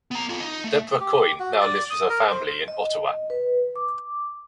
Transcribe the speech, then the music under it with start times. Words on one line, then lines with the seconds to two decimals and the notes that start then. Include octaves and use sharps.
Deborah Coyne now lives with her family in Ottawa.
0.11 B3 A#5
0.29 F4 A4
0.41 D#4 D#5
0.64 A3
1.00 G4
1.39 F#4
1.61 D5
1.90 D#6
2.10 A#4
2.30 C5
2.68 D#5
3.30 B4
3.76 D6